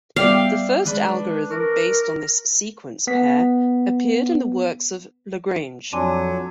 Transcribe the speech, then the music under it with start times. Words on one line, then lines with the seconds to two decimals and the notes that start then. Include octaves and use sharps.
The first algorithm based on this sequence pair appeared in the works of Lagrange.
0.16 G3 B3 D5 E5 F5 G5
0.86 D#3 G#3 D4 B4 D5
1.50 A#4 C#6 D6
3.07 B3 B6
5.93 F2 F#3 D4 G#5 C6 D#7